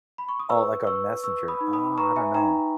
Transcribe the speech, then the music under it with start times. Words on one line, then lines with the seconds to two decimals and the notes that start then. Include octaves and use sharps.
Oh, like, on Messenger. Oh, I don't know.
0.18 B5
0.29 C#6
0.40 D#6
0.50 B4 C#6 E6
0.87 B4 C#6 E6
1.24 B4 C#6 E6
1.48 B5 D#6
1.61 D#4
1.73 B5 D#6
1.98 B4 A#5 C#6
2.16 E5 G#5
2.34 D#4 G5 A#5